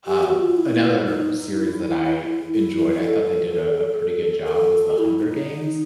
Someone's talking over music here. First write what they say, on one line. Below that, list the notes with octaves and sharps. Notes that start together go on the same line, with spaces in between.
Uh, another series that I enjoyed, I thought they did a a pretty good job was the Hunger Games
G4
F#4
F4
E4
D#4
E4
E4
E4
E4
A4
A#4
A4
E4
E4
D#4